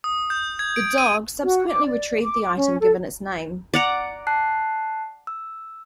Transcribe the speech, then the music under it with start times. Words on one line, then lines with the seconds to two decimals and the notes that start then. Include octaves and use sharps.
The dog subsequently retrieved the item given its name.
0.04 D#6
0.30 G6
0.59 G#6
0.76 D7
0.98 D#7
1.43 F#4
1.67 D6
1.85 D5
2.21 D6
2.56 C#4
2.80 A4
3.74 D5 F#5 A#5
4.27 A5 F#6 C7
5.27 E6